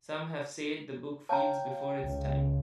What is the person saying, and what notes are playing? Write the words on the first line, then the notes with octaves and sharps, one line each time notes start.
Some have said the book "feels before its time".
C#5 F5 G5 A5 A#5
C#2